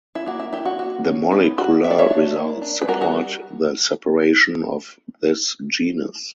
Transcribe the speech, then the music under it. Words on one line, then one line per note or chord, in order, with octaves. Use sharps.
The molecular results support the separation of this genus.
E4
A#3 F#4
E4
D4 E4 G4
F#4
A#3 F#4
C#4
B3 E4
D4 F#4
A#3 E5
D5
C#5 E5
D4
A#3
D4
B4
G3 F#4 A#4
F#4 A#4